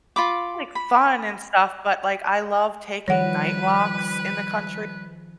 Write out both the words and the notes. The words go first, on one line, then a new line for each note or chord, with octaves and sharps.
like, fun and stuff, but, like, I love taking night walks in the country
F4 B5 D6
B5
D#3 F3 G3 B4 C#5 F#5